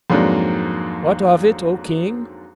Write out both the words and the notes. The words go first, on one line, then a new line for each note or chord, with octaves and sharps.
"What of it, O King?"
F2 G#2 F#3 A#3 D4